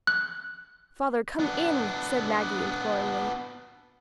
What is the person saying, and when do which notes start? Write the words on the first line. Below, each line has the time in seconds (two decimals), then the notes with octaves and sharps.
"Father, come in!" said Maggie, imploringly.
0.07 F#6
1.39 B3 D4